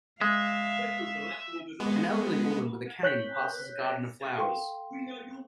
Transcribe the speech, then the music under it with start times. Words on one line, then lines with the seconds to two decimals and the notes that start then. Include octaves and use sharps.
An elderly woman with a cane passes a garden of flowers.
0.21 G#3 E5 F5
1.80 G#3 B3
3.03 C#5 F#6 G6 B6
4.38 A4 F5 G5 C6 C#6